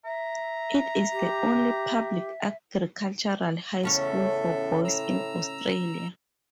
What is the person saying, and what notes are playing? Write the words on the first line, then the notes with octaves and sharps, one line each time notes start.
It is the only public agricultural high school for boys in Australia.
E5 A#5
G4
E2 A2 C#3 C#4 A4 C#5 E5
A#5 E6